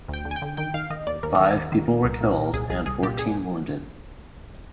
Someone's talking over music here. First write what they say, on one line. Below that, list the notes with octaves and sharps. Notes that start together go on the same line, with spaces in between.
Five people were killed and fourteen wounded.
D2
G5
D3
G#5
G5
D3
D#3 G5
D#3 F5
D#3 D#5
D#2 D5
D#2 A#4
D#3
D#2
D#3
A#2
C2
A#2
A#2
C2 G#4
C2 G#4
C2 G#4
A#2 G4
G#4